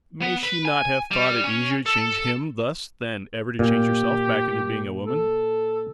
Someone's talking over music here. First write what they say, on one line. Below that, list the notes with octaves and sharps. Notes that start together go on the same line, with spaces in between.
May she not have thought it easier to change him thus than ever to change herself back into being a woman?
B3
B4
G#5
G3
C#4
A4
A#2 G4
A4